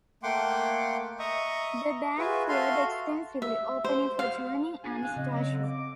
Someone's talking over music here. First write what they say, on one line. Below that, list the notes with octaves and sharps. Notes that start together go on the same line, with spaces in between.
The band toured extensively, opening for Journey and Starship.
A3 A#3 F#5 G5 C6 D6
D#5 E5 A#5 C#6 D#6
F4 F#4 G#4 B4 E5
F#4 A4 E5 F5 C6
E5
C5
F5
D4 F4 G#4 G#5
C4 F5 F#6
C#3 D#5
F#3
D3
D6